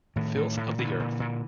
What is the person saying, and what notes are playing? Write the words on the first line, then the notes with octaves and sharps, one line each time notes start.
Filth of the earth!
A2 D#3
A2
A2
D#3
A#2 D3 E3
A#2
A#2